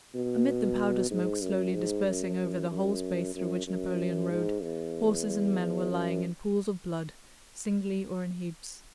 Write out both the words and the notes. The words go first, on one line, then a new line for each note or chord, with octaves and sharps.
Amid the powder smoke, slowly dispersing over the whole space through which Napoleon rode, horses and men were lying in pools of blood, singly or in heaps.
B2
G#2
F#2
G#2
F#2
F#2
F#2
F#2
G#2
E2
F#2